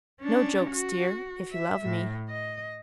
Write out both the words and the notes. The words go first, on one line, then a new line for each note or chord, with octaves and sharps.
No jokes, dear, if you love me.'
C#4 D4
F#4
E5
A2
D#5